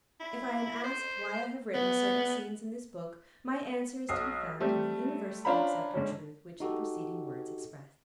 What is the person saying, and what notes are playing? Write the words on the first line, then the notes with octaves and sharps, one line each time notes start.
If I am asked why I have written certain scenes in this book, my answer is to be found in the universally-accepted truth which the preceding words express.
E4
C5
B3
B1 D#6 C7
G3 A3 C4 G4
C#4 D4 F4 C5 A#5 B5
G#2 D3 C#4
D#4 F#4 G4 A4